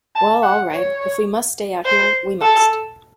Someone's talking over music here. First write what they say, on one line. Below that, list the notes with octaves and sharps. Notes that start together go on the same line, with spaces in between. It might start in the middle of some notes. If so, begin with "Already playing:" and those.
Well, all right. If we must stay out here, we must.
A5
F#5
C#5
C5
A4